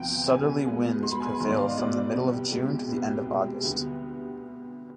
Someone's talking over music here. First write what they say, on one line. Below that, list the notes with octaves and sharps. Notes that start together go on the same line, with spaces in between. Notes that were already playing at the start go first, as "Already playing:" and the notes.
Southerly winds prevail from the middle of June to the end of August.
Already playing: D2 C3 F3 B3 G5
C2 C3 G3 B3 G#5
B2 G#3 B3
B2 G#3 B3 C6
B5
G#5
B5
G#2 D#3 B3 C6
D5
F5
D#5
B2 G#3 B3 D5
C2 C3 G3 B3
G4
C2 B2 G#3 G4
C2 B2 B3
G4
C2 B2 G#3
D2 D3 G3 B3